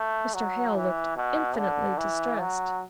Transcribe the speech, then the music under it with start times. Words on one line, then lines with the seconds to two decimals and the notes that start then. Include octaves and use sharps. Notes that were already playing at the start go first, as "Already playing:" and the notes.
Mr. Hale looked infinitely distressed.
Already playing: A3
0.34 F#3
0.75 E3
1.16 B2
1.57 D3
1.98 E3
2.39 F#3